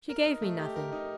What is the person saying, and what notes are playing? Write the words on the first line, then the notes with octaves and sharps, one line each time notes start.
'She gave me nothing.
A#4
D#4
A3
G4
A#4
D#4